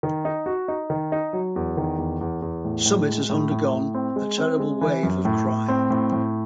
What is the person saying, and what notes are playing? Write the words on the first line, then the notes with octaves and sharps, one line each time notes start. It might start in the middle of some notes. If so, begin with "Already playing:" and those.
Summit has undergone a terrible wave of crime.
D#3
D#4
F#4
D#4
D#3
D#4
F#3
E2
D#3
E2
E2
E2
A2
A2
G#3
A2
A2
A2
C4
G#3
C4
G#3
E3
F#2
A2
A2
C4
A2
A2